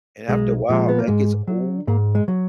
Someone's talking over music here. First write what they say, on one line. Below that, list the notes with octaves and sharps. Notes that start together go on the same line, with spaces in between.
And after a while, that gets old,
B1 G#3
A#2 F3 G#3
B3
A#3
G#2 G#3
F#3
G#2 A#3
G#3
F#3